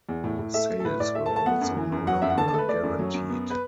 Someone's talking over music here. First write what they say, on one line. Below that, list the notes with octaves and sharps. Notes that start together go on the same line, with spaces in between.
Sales were also no longer guaranteed.
E2
A2
A2
A3 E5
A3
A4
A2 B4
A2 D5
A3 E5
A5
A3
A5
B3 F#5
F#2
E3
F#2
F#3 F#5
F#2 E5
F#5
D3 A5
A5
A3 A4
B4
A3 D5
F#2
F#3
F#2
B3
B4